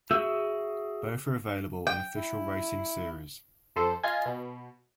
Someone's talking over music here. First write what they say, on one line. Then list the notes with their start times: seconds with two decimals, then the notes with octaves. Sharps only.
Both are available in official racing series.
0.11 F#4 G#4 E5 E6 G6
1.87 G5
2.15 E4
3.76 F2 A4 C5
4.03 F4 D#5 G#5
4.26 B2